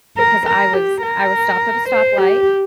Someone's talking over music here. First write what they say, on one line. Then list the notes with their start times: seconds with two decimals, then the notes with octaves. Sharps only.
'cause I was I was stopped at a stoplight,
0.17 A#4
0.46 A#4
0.74 G4
1.03 A#4
1.89 C5
2.18 G4